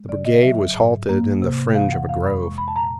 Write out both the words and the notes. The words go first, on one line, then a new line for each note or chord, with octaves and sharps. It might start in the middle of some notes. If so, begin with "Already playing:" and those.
The brigade was halted in the fringe of a grove.
Already playing: G#3
C#3 D5
D#5
F#3 E5
G#2
A#3
C3
E3 F5
F#5
F2 F5
B5
G#3 C#6
B5
A5
A#2 A#5